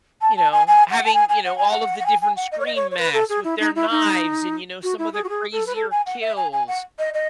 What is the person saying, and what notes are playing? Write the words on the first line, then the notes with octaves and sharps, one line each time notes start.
You know, having, you know, all of the different Scream masks with their knives and, you know, some of the crazier kills
A5
A5
G#5
G#5
F#5
A5
G#5
G#5
F#5
G#5
F#5
F#5
G#5
G#5
F#5
D#5
C#5
D#5
C#5
C#5
B4
A4
G#4
E4
D#4
E4
D#4
F#4
E4
G#4
F#4
G#4
A4
B4
A4
G#5
F#5
E5
G#5
G#5
F#5
D#5
D#5